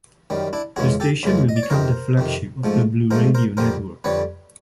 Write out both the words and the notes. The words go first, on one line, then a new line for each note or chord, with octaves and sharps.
The station will become the flagship of the Bluradio network.
F#2 D#3 G3
D4 E4
F2 C#3 E3 G#3 F#4 G#4
G4 A4
F2 C#3 E3 G#3
D#5
D5
C#5
F2 C3 D#3 A#4 C5
F2 C3 D#3
G#2 F3 A3
G#2 F3 A3 A#4 C5
A#4 C5
F2 D3 G3 A#4 C5
F2 D3 G3 B4 C#5